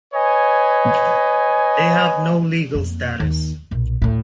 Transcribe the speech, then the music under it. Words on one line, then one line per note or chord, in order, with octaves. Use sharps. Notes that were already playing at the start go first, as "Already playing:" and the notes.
They have no legal status.
B4 C#5 D#5 G#5
F2 A#3
D#2
B1 A#2
D2 A2